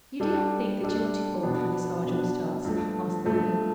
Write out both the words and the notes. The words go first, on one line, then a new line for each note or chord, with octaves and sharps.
"You do not think that you are too old for this arduous task?" asked the Queen.
G3 D4 A4
G3 D4 A4
B2 B3 D4
B2 B3 D4
G2 F3 A3
G2 F3 A3